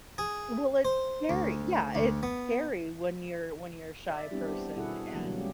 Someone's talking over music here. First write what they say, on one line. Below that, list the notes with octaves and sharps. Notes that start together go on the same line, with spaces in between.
Well, it's scary Yeah, it's scary when you're when you're a shy person and
G#4
C5
D2
D2
B3
D5 E5
G3 B3 C4 D4 E4 G4
B2 E4 F#4 G#4 A4 F#5
E3 F#3 A#3
B2 G3
G#3 C#4 G4